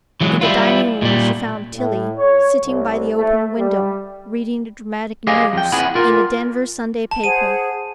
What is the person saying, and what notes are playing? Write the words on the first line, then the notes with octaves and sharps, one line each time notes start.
In the dining-room she found Tillie, sitting by the open window, reading the dramatic news in a Denver Sunday paper.
E3 F#3 G#3
G3 E4 F4
A#2 G3
A2
C#5
C2
A3
G3
G4 G#4 D#5 F5 G#5
F2 G5
C4 E4 G#4 F#5 G#5 B5
F4 A#4
A5
G#4 C5 F#5 D#7